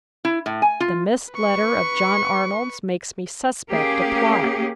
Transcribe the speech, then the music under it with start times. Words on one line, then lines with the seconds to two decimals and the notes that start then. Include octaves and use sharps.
The missed letter of John Arnold's makes me suspect a plot.
0.25 E4
0.46 A2
0.62 G#5
0.80 F4
1.32 B4 C#6
3.70 A#3 C#4 G4 G#4